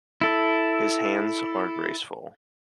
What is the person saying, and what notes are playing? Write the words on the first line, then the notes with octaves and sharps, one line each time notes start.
His hands are graceful.
E4 A4